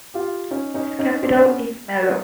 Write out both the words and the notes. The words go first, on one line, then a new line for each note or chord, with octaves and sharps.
Its capital is Melo.
F4 G4
C#4 D#4
C#4 D#4
C#4 D#4
C4 D4
B3 C#4